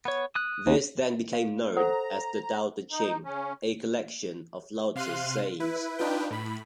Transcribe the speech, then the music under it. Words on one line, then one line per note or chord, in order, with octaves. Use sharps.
This then became known as the "Dao De Jing", a collection of Laozi's sayings.
B3 C#5
D#6 F#6
D#2
F5
A4 C5 F#5 A#5
D#4
C#3 C#4
C3 F5 C6 F#6 D#7
E4 B4
D4 D#4 F4 B4 G5
A2 B5